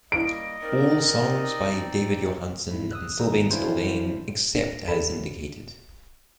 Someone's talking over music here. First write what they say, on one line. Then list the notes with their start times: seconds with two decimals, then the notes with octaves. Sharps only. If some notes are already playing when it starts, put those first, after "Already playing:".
All songs by David Johansen and Sylvain Sylvain except as indicated.
0.12 G3 A#3 D#5 D7
0.61 C4 D#4 A#4 D5
2.71 G#2 E4
2.91 D#6 E6 F#6
3.19 D#3 B3 D#4 G#4 B4
3.51 E3 C#4 D4 E4 F4 C5
4.55 D4 A#6
4.88 E2 A4 B5 E7